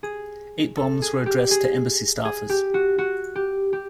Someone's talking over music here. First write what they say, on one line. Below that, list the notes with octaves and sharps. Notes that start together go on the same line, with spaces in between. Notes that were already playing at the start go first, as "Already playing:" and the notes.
Eight bombs were addressed to embassy staffers.
G#4
A4
G#4
G4
G#4
G#4
G4
F#4
F#4
G4
G4